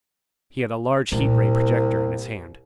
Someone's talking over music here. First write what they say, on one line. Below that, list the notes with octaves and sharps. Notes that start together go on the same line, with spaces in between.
He had a large heat-ray projector in his hand.
C2 A#2